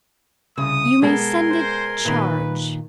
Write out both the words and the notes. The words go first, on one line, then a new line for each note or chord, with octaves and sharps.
"You may send it, charge."
C2 C#3 D#6
B2 G#3 A4 A#4 G#5 C6
C5
A#2 D#3 B4